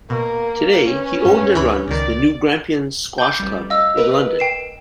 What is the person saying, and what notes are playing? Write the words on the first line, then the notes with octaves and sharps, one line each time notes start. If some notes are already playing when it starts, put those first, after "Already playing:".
Today, he owns and runs the New Grampians Squash Club in London.
B2 A#3
C#4 B4
G2
D2 E3 B5
C#2 D#3 D5
D6 G6
A1 G3
D#5 F5 E6
A#4 B4
G5 C7 E7